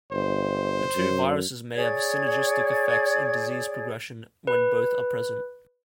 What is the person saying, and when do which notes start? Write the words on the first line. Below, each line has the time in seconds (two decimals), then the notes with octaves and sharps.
The two viruses may have synergistic effects in disease progression when both are present.
0.12 G1 C5
0.96 F#2
1.74 G#4 C#5 D5 G#6
4.47 B4